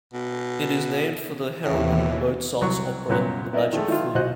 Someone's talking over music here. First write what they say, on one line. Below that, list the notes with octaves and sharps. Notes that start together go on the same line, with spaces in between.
It is named for the heroine of Mozart's opera, "The Magic Flute".
B2
D#2 A2 E3
C2 F#3 C#6
C2 F#2 A#2 F#3 B3
B3 E4 A#4 D5 D#5
D#3 F3 G#3 A3
D#3 E4 F4
B1 F#4 C5 D#5 F#6